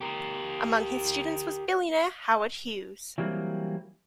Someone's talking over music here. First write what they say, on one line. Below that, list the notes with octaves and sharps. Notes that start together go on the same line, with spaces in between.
Among his students was billionaire Howard Hughes.
G4 A#4
E3 F#3 G3 A#3 C4